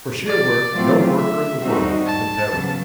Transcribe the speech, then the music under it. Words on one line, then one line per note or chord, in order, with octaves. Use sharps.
For sheer work no worker in the world can compare with him.
D5
F#3 A3 C4 F4
E5
G3 C4 D#4 F#4
A5
C#3 F#3 B3